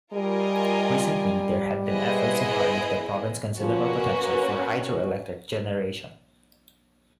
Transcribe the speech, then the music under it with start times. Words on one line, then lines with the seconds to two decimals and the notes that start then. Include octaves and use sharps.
Recently, there have been efforts to harness the province's considerable potential for hydroelectric generation.
0.13 G3 F4 A#4 D#5 G#5
1.86 B3 E4 G#4 C5 D#5
3.59 F3 A#3 C#4 F#4 B4